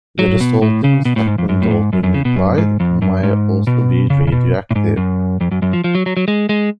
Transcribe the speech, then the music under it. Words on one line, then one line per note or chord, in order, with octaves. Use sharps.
The resulting second daughter nuclide may also be radioactive.
F#3
B2
A2
C#3
B2
A2
G#2
F2
F#2
A2
G#2
F#2
F#2
C#3
B2
F#2
G#2
F2
F#2
G#2
B2
C#3
C#3
B2
A2
G#2
F#2
F2
F#2
F#2
F3
F3
F#3
F#3
F#3
G#3
G#3